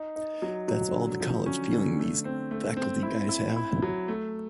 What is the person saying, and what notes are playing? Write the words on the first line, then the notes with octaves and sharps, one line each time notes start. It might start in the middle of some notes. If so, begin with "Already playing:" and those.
That's all the college feeling these faculty guys have.
Already playing: D#4
D#4
F#3
F#3
D3
F3
C#4
D3
A3
C4
A3
C4
E4
E4
E4
F#3
A3